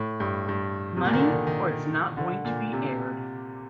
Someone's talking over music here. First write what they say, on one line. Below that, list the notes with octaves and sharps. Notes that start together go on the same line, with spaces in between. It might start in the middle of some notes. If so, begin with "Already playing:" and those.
Money, or it’s not going to be aired!
Already playing: A2
G2
G2
C3
A#2
D#3
D3
D#3
D#3
D3
A#2
C3